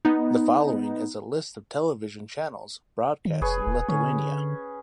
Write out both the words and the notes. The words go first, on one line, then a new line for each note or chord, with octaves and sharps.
The following is a list of television channels broadcast in Lithuania.
B3 D#4
D#3
F1 G#4 B4 C#5
D#1
D3 C#4